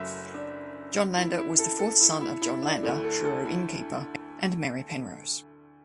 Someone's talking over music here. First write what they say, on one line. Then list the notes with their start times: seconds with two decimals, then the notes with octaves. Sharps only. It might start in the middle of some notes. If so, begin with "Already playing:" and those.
John Lander was the fourth son of John Lander, Truro innkeeper and Mary Penrose.
Already playing: F#1 F#2 F#3 A3 E5
0.34 D4
1.17 E4
1.38 E4
1.59 A4
1.79 A4
2.01 E4
2.21 E4
2.42 E4
2.62 D4
2.83 D2 D3 A3 E4
3.04 A4
3.25 A4
3.45 E4